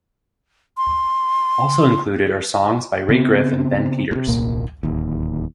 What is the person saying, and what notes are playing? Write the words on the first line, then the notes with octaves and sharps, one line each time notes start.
Also included are songs by Ray Griff and Ben Peters.
C6
C#3 B3 C4
A2 C3
D#1 C2 A#2 A#3
D1 D#2